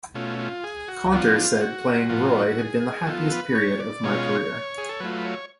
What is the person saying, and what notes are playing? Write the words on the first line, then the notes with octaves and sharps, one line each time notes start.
Caunter said playing Roy had been the happiest period of my career.
B2 A3 C#4 F4
F4
G#4
F#4
F3 B3 D4 F4 F#4
F#4
F4
F#4
A2 F3 B3 F4
G#4
F3 B3 F4 A4
B4
C#5
D5
B2 G#3 C#4 F4 C#5
G#4
A4
F#3 A3 F4 B4
C#5